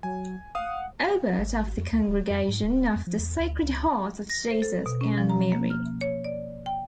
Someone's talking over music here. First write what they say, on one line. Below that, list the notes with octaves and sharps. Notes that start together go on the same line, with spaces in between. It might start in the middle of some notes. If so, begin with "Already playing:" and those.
Aubert of the Congregation of the Sacred Hearts of Jesus and Mary.
F#3 G#5
F5 F#5 D#6
G#1
F2
D2
D1
F2
G#2
D1
F2
F3
E2
D2
C#2
A#6
C5
A4
B2
C#4
F3
A#5
A#3
F6
C#5
D5
G5